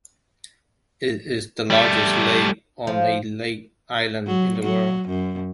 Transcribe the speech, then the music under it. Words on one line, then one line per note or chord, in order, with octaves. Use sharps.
It is the largest lake on a lake island in the world.
G3 A3
F3
F#3
F#3
F#2